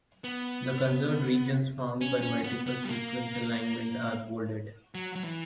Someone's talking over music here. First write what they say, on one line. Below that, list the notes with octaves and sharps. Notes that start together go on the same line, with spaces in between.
The conserved regions found by multiple sequence alignment are bolded.
B3
C#4
C#4
B3
B3
G3
A#3
F#3
F#3
E3